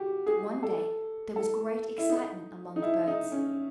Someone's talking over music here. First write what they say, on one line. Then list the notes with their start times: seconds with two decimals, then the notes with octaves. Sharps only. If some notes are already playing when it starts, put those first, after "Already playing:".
But one day there was great excitement among the birds.
Already playing: F#4 G4
0.26 G#4
0.63 A4
1.36 A4
1.98 E4
2.10 D#4
2.76 D#4
2.82 E4
3.08 D#4
3.32 C#4